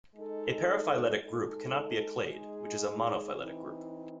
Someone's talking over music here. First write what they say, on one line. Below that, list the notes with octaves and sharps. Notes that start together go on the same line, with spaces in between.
A paraphyletic group cannot be a clade, which is a monophyletic group.
G#3 D#4 A4
G#3 D#4 A4
G#3 D#4 G#4
E3 C4 D#4